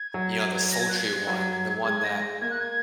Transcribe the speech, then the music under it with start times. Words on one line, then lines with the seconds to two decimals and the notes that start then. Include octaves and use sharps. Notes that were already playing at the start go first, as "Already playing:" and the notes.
you know, the sultry one, the one that
Already playing: G#6
0.14 F#3
0.71 A#6
0.80 G#6
0.89 F#6
0.97 G#6
1.27 F#3
1.84 G#3 G#6
2.04 A#6
2.41 A#3 G#6
2.50 F#6
2.60 G#6